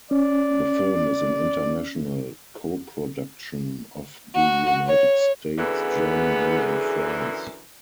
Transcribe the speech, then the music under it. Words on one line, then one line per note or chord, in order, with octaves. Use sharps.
The film is an international co-production of the United States, Germany and France.
C#4 D5
F#4
C#5
F#2 D3 E3 B3 G#4